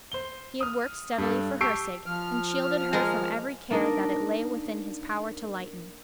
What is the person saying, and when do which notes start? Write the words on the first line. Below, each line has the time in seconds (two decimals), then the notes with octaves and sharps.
He had worked steadily for her sake, and shielded her from every care that it lay within his power to lighten.
0.12 C5 G7
0.61 D#6 F6
1.18 G2 A4
1.61 G4 A5 C#6 E6 C7 D7
2.06 F3 F6
2.93 G#3 A#4
3.70 A#3 D4 D#4 A#4